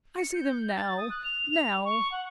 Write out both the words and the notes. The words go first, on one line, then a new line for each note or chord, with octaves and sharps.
I see them now--now!'
C#7
G6
A6
D#6
F#6
F7
F7
C#6
F#5